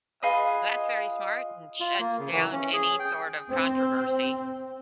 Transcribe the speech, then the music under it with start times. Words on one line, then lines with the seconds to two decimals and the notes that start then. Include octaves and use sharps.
Oh, that's very smart and shuts down any sort of controversy
0.23 F4 G#4 B4 D#5
1.80 F4
2.00 A#3
2.19 C#3
2.32 E3
2.52 C#4
2.73 G#4
2.99 G5
3.50 C4